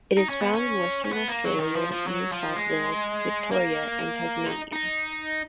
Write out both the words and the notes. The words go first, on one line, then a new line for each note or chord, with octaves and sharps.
It is found in Western Australia, New South Wales, Victoria and Tasmania.
D#4
C#4
B3
C#4
C#4
B3
A#3
F#3
D#3
F3
F3
F#3
F3
G#3
A#3
D#4
D#4